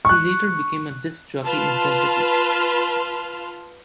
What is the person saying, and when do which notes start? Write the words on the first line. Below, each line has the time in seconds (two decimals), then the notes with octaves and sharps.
He later became a disc jockey in Kentucky.
0.05 C#6 F#6
1.44 F4 B4 A5 C6 F6